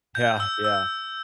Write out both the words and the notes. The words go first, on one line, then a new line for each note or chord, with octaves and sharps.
Yeah, yeah.
G6
E6
E6